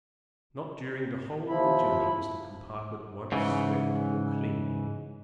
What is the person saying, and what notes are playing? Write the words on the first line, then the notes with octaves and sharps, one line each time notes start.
Not during the whole of the journey was the compartment once swept or cleaned.
D#2 C3 F3 E4 B5
G#2 C#3 E3